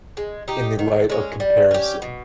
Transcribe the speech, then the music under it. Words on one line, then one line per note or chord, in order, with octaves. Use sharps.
in the light of comparison,
G#3
D#4 G4
D#3
G#3 C#4
G3
C#4 G4
B2